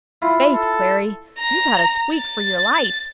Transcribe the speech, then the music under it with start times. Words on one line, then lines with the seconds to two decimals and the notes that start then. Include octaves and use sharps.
Faith, Clary, you've had a squeak for your life!
0.22 E4 F4
0.54 A4
1.39 A#5
2.14 A6